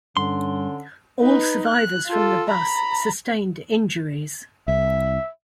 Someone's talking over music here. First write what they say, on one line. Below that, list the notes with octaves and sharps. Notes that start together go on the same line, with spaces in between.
All survivors from the bus sustained injuries.
G2 D3 C#4 C6
D#4 B4
F#6
F4 A4
A#5 B5
C2 E5